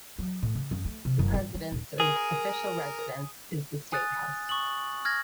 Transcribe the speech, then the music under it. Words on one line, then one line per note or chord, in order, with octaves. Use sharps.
The President's official residence is the State House.
F#3
A2
C#3
F#2
A3
C3
F#1
G2
G3
D#1
G#4 A#4
G#5 D#6 F#6 A6
C#6 D#6 F#7
F6 G#6 A#6